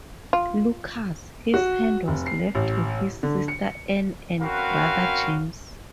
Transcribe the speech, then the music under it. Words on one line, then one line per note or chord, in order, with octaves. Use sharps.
Lucas, his land was left to his sister Anne and brother James.
F4
F#4
F1
C7
A1
D3
C#7
C4 C#4 F#4 A#4 B4 F5